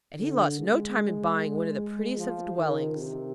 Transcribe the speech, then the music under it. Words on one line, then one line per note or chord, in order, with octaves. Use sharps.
And he lost no time in buying one of the prettiest of the dwellings.
D3
G#3
F3
D#3
C3